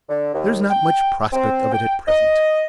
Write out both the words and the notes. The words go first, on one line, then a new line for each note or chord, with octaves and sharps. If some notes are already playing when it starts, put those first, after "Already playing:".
There is not much prospect of it at present.
D3
D#2
G5
C4
G5
D#5